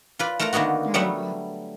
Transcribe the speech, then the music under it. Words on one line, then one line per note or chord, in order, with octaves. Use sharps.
I love that.
F4 B4 D5
A3 F4 A#4 F#5 A#5
D3 D#3 A#3 B3 F#4
F#3 G3 A3 B3 E5 F#5